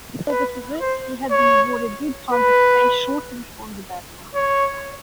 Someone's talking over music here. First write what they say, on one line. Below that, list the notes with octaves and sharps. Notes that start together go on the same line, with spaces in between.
Further to this, he had been awarded Good Conduct pay shortly before the battle.
B4
C5
C#5
B4
C#5